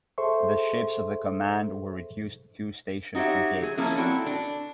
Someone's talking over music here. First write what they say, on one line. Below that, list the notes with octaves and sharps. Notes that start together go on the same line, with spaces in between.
The ships of the command were reduced to two Station Frigates.
G#4 A4 C5 E5 C6 C#6
D#4 F#4 G4 C#5 E5
F#3 G#4
F3 A#3 C#4 E4
C4 E4 F#4 A4 D5
D4